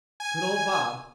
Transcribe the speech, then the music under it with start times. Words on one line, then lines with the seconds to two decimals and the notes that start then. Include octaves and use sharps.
Good old Bob!
0.20 G#5